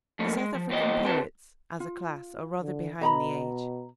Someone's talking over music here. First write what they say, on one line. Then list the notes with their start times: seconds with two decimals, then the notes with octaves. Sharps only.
The South African poets, as a class, are rather behind the age.
0.19 F3 A3 A#3
0.37 G#3
0.55 F3
0.69 E2 A#2 G4 C5 D#5
1.05 C4 G4 B4 A5
1.80 F4
2.62 D3
3.01 B2 D#5 A#5 B5